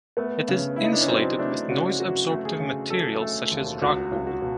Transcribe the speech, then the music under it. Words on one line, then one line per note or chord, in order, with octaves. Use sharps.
It is insulated with noise absorptive materials such as rock wool.
A3 B3
C#3
C#3 E4
D#4
D4
C#4
F#3 C4
A3 D4
C#3 F#4
F#3 F#4
A3
G#4
C#3
F#3 A4
A3
D#2
C#2 F#4
C#2
F#4
B2